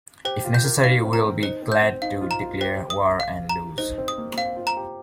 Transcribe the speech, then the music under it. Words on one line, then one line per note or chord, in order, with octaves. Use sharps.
If necessary, we will be glad to declare war and lose.
G4 C5
F4
G6
A#4
D#4 F5
C4
A#5
C4
D#4 C5
C4
G6
C4
D#4 F5
F4
A#5
F4
G4 C5
D#6
F5
A#5
D#4 C5
C4
D#6
A#3
A#3
C4 F5
F4
A#5
G4